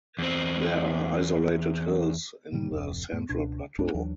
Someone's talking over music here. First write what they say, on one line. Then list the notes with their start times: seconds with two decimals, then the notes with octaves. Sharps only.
There are isolated hills in the central plateau.
0.19 E2 C4
2.52 G#2 B2 D3 G3
2.71 D1 F2 C3
3.12 F2 A2 A3
3.29 C#2 B2 D4
3.78 C2 G2 A3 D4
3.94 D#2 E3 F#3 D4